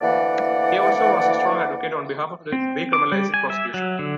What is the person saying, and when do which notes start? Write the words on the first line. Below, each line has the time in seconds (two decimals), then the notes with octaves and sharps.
He also was a strong advocate on behalf of decriminalizing prostitution.
0.02 D2 E3 A#3 D5 F#5
2.52 C4
2.93 D6
3.12 G3
3.34 G#5
3.50 E5
3.74 F#3
3.99 D3